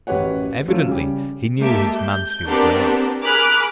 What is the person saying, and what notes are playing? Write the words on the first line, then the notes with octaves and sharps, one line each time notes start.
Evidently he knew his Mansfield well.
A1 F#2 G4 B4 C#5 F#5
F3 F#3 A3 C#4 F4
C#3 G3 G4
G#3 A#3 G4 A4 E5
G6
B3 C4 D4 G4 A4 A#4
G#4 A#4 B5 D6 F6 F#6